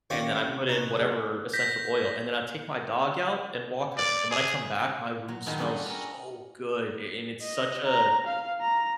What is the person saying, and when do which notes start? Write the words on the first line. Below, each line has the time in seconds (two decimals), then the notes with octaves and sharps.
and then I put in whatever essential oil, and then I take my dog out and walk her, and when I come back, my room smells so good, a and it's such a
0.10 D#3 C#4 G4 C#5 D5 F5
0.49 C3
0.69 C#4 D#4 B4
0.97 F#2 G#4
1.53 G6 A#6 B6
3.98 D5
4.31 G#4
5.28 F#3
5.46 F#2 A#2 D#3 G#3 A3 B3
5.58 G3 C#4 D4 F#4 G#4 A4
5.86 C#4 A#4
7.42 D#5
7.87 A#5
8.27 F5
8.61 A#5